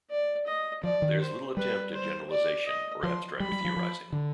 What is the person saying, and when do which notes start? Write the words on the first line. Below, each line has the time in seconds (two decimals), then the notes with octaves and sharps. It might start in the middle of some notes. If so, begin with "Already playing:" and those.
There's little attempt at generalization or abstract theorizing.
0.10 D5
0.47 D#5
0.83 F3 D5
1.02 D#3
1.20 C5
1.56 G3 B4
1.94 C5
2.31 D5
2.66 D#5
3.03 F3 C6
3.39 G3 B5
3.52 G3
3.65 F3
3.77 F3
4.13 D3